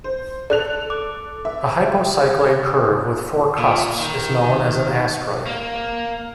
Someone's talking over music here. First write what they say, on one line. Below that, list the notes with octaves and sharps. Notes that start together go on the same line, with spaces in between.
A hypocycloid curve with four cusps is known as an astroid.
C5
A4 D5 F#6 F7
D6
E5
A#2
D#3
A#3